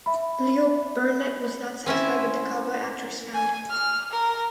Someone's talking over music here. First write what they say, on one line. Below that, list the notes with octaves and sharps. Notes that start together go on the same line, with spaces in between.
Leo Burnett was not satisfied with the cowboy actors found.
E5 B5
C4 C#4 E4 E5
G#5
F6
A#4